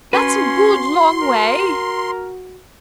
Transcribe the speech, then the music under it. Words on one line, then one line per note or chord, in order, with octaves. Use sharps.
'That's a good long way.
C#4 F#4 B4 C6
A#4